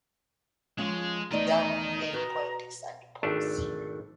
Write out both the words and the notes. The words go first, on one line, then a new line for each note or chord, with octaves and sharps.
It downplayed politics and diplomacy.
F3 G#3 C#4 F5
E2 A3 D#4 A#4 D5 D#5
F#4 B4 A#5
G#1 A3 D4